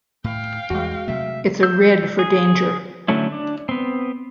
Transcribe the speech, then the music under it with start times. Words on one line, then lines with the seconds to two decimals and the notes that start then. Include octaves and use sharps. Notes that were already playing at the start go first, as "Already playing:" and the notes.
It’s a red for danger.
0.24 A2 F5 G5
0.70 E2 E3 G3 G#3 F#4
1.08 C3 F#3 A3 E5
1.63 E6 G6
2.19 G#4
3.08 D3 F#3 A3 C#4 E4
3.32 D4
3.69 B3 C4